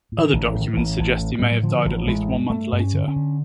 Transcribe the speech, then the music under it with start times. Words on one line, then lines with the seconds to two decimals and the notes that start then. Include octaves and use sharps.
Other documents suggest he may have died at least one month later.
0.12 A2
0.18 D#3
0.33 A1
0.47 E3
0.55 A2
0.61 D#3
0.74 A1 E3
0.99 A1
1.20 A2
1.39 A2 G3
1.52 F#3
1.63 D3 F3
1.85 A1
2.06 A1 G#3
2.29 G2
2.50 G2 A3
2.72 G2
2.80 C#4
2.93 D3
3.08 C#4
3.16 D3